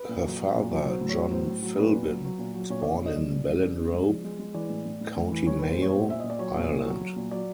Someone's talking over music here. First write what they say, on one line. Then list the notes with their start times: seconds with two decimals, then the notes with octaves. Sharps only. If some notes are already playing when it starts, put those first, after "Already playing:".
Her father, John Philbin, was born in Ballinrobe, County Mayo, Ireland.
Already playing: B4
0.09 A#2
0.24 F#3
0.40 F#3
0.55 A#2
0.70 F#3
0.85 F#3 C5
1.01 A2
1.09 C#5
1.16 F#3
1.31 A2 C5
1.47 A2
1.63 F#3
1.78 A#2 B4
1.93 A#2
2.09 F#3
2.25 F#3
2.39 A#2
2.55 F#3
2.70 A#2 C#5
2.82 A#2 D5
2.96 C#5
3.01 A#2
3.06 D#5
3.16 G3 D5
3.31 A#2
3.48 G3
3.62 C#3 D5
3.78 C#3
3.94 G#3
4.08 F3
4.24 G#3
4.39 G#3
4.54 E3 D5
4.70 A2
4.85 A2
5.01 A2
5.16 A2
5.32 E3
5.46 G3 C#5
5.59 B4
5.63 A#2
5.70 C5
5.78 G3 C#5
5.93 A#2 C5
6.09 A#2 E5
6.20 A#2 D#5
6.30 D5
6.39 F#3 C#5
6.55 A#2
6.70 A#2
6.86 F#3
7.01 F#3
7.16 A#2
7.31 F#3 D5